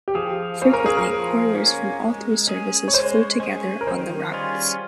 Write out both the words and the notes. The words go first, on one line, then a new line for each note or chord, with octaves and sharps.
Frequently, couriers from all three services flew together on the routes.
G4
F3 G#4
A#3 C#4 C5
A#4
G#4
A#4
F3
A#3 C#4
G#3
C#4 G#4
C#5
G#3 C5
C#4 G#4
A#4
D#3 C5
G3 C#4 F4 G#4